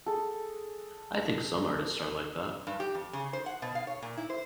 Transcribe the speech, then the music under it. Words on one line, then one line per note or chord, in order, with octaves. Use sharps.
I think some artists are like that.
G#4 A4
G2
G4
F2
C#3
C5
F#5
B2
F5
C#5
A#2
E4
C5